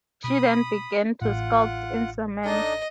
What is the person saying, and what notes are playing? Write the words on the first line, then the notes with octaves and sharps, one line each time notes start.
She then began to sculpt in cement.
B2 C#4 B5 D#6
A1 A2 F4 F#5
D4 D#4 A4 D#5